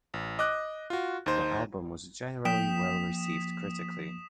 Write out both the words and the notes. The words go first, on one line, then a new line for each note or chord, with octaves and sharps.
The album was generally well-received critically.
A1
D#5 D6 F#6
F4 F#4
D#2 D#4 C5
F3 A#3 G5 D#6 B6 E7